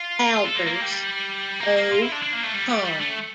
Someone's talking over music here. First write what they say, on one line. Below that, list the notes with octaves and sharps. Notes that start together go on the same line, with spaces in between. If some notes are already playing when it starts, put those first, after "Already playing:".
Albers, O. Carm.
Already playing: F4
F4
A4
A#3
A#3
G3
A#3
A#3
F4
E4
D4
D4
A#3
A3
G3
G3
G3
A3